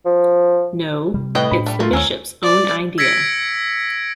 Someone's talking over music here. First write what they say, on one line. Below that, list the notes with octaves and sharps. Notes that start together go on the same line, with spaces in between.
No, it's the Bishop's own idea.
F3
C3 G3
A2 B4 D#5 G5
A2 D4 B5
G3 A3
A3 A#3 F4
D#2 A#4 C#5 G#5 E6
D5
E6 G#6 A#6 B6 C#7 D7